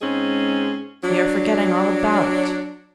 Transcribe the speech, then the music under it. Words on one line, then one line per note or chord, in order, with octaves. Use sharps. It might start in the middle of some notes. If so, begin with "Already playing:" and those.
We are forgetting all about it.'
G#2 G#3 C4 C#4 G#4
F#3 D4